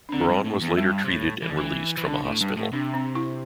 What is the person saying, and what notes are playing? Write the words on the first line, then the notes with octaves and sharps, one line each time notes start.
Braun was later treated and released from a hospital.
D4
D3 C4
G2
A2
E2
G2 G3
C3
A2
E3
D3
E3
E3
D3 D4
A2
G2
A2
C3 D4
C4
E4